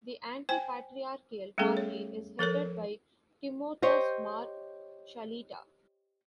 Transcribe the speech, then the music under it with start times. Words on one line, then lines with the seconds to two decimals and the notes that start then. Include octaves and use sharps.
The anti-patriarchal party is headed by Timothaus Mar Shallita.
0.49 C5 G5 G#5
1.58 G3 A3 B3 C#4 G#4 A4
1.77 C#5
2.39 F3 A4 A#4 C#5
3.82 G4 C5 C#5 D#5